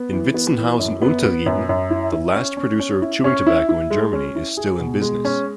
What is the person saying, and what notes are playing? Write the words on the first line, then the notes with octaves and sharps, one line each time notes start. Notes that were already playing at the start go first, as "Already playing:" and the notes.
In Witzenhausen-Unterrieden, the last producer of chewing tobacco in Germany is still in business.
Already playing: B3
E3
B3
E3
F#2
B3
B3
F#2
F#2
E4
E4
C#4
C#4
C#4
E4
C#4
E4
E4
G#3
C#4
E4
G#4
B2
G#3
C#4